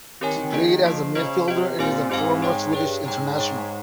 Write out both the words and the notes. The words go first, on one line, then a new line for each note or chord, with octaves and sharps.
He played as a midfielder and is a former Swedish international.
D#3 C4 G4 A#4 C#5 G#5
A#3 F4 G#4 D#5
F3 A#3 F4 G#4 D#5
C#3 F4 C5 D#5
C3 F4 C5 D#5
A#2 C4 G4 C5 F5 G#5
G#2 C4 G4 C5 F5 G#5
G#4 C#5 G5
G2 G#4 C#5 G5
G#2 G#4 C#5 G5
G#4 C#5 G5